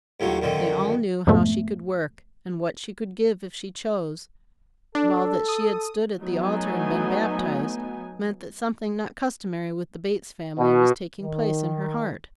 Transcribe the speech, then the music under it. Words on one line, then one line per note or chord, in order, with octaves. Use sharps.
They all knew how she could work, and what she could give if she chose; while that she had stood at the altar and been baptized, meant that something not customary with the Bates family was taking place in her heart.
D#2 A2 F3 F#3
F#2 A#2 D3 D#3
F2 G#2 B2 A3
D4 A4
D#6
F#3 A3 B3 D#4 G#5
B2
D#3